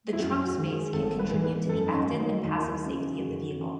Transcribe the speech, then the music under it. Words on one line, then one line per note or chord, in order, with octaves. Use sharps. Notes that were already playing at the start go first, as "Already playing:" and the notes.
The trunk space can contribute to the active and passive safety of the vehicle.
E4
F#2 F#4
F#4
D#3 G#3
G#4
G#1 A4
B4
G#2 E3
B4
F#2 A4
D#4
C#4
D#3 F#3 A3
D#4
D#2 D#4
E4
D#4
F#3
C#3
E4
G#4
F#2 F#4
C#3 E3